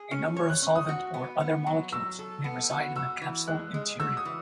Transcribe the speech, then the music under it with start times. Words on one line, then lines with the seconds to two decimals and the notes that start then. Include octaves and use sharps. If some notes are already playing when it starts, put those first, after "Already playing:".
A number of solvent or other molecules may reside in the capsule interior.
Already playing: G#4
0.11 C#4
0.37 C#5
0.50 F#6
0.62 C#4
0.76 D#6
0.89 F#4
1.14 B3
1.40 B3
1.66 F#3
1.92 F#3 E6
2.19 A4
2.44 B3
2.70 F#4
2.95 F#4 E6
3.22 E3
3.47 G#3 F#6
3.74 G#3
4.00 F#4 E6
4.17 D#6
4.25 E3